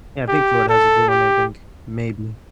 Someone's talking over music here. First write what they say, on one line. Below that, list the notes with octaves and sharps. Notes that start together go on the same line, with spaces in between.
Yeah, I think Florida has a good one, I think, maybe.
G4
A4
G4